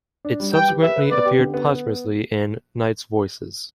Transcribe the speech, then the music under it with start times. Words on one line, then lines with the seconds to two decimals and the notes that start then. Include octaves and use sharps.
It subsequently appeared posthumously in "Night Voices".
0.25 D4
0.40 G3
0.54 B4 G5
0.68 G4
0.82 B4 E5
0.96 B4
1.11 B3 D5
1.25 G4
1.39 D3
1.54 B3
1.68 B3